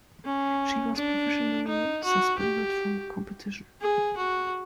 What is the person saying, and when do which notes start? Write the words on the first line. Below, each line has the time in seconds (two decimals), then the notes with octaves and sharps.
She was provisionally suspended from competition.
0.25 C#4
0.95 D4
1.68 D#4
2.04 F#4
2.38 G4
3.81 G#4
4.17 F#4